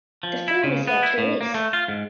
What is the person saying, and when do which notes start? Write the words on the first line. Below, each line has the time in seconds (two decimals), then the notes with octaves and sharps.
The film is yet to release.
0.23 F3
0.48 E4
0.64 C#3
0.87 B3
1.03 E4
1.18 A2
1.41 A#3
1.54 A3
1.73 F4
1.88 G#2